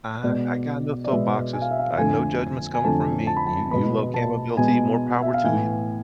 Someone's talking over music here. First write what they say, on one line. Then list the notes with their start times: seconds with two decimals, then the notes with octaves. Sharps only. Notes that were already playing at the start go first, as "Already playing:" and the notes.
Ah, I got no soapboxes. I no judgments coming from me, you you love chamomile tea, more power to you.
0.23 B2 G#3 B3 D5
1.04 D5
1.10 B2 G#3 B3 E5
1.53 G#5
1.62 F5
1.71 E5
1.79 F5
1.97 F2 D3 A3 G#5
2.74 G#5
2.84 F2 D3 A3 A5
3.27 A5
3.37 B5
3.46 A5
3.71 B2 G#3 B3 B5
4.14 A5
4.57 B2 G#3 B3 G#5
5.22 E5
5.34 F5
5.44 A2 E3 B3 G#5